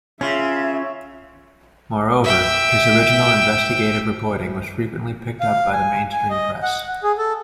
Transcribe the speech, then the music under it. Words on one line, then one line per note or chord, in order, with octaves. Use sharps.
Moreover, his original investigative reporting was frequently picked up by the mainstream press.
C#3 C#4 F4 E5
E5 G5
F5
G#5
G#5
D#5
F#5
G#4
A4